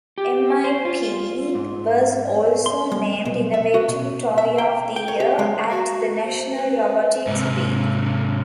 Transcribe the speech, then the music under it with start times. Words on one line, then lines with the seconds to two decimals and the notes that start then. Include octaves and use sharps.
MiP was also named "Innovative Toy of the Year" at the National Robotics Week.
0.18 G4
0.64 C5
0.85 F4
1.55 G#2
2.66 C6
2.92 G3
3.25 B1
3.54 E5
3.74 F#4
3.88 B2
4.38 E5
4.58 G5
4.96 G5
5.08 C#5
5.20 G4
5.39 G#3
5.70 F#4
6.24 C5
6.54 B4
7.27 G#2 C3